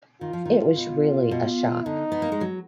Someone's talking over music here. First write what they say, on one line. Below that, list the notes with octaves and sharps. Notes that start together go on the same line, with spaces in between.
It was really a shock.
D#3 F4
F3
D#3
B2
B2
D3 D#4
B3
A#3
G#3
F#3